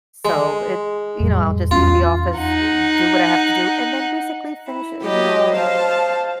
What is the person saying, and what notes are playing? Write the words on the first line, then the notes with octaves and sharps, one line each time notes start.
so, it you know, I'll just leave the office, eh, do what I have to do, and then basically finish eh, you know, I'll
G#3
F2 A2 G3
E2 C#4 F4
D#4 F#5
E4
F#3 G4 D#5
C5 F5 A5